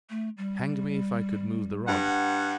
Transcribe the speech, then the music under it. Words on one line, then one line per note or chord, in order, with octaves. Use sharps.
Hang me, if I could move the rod!
A3
G3
G2 F#5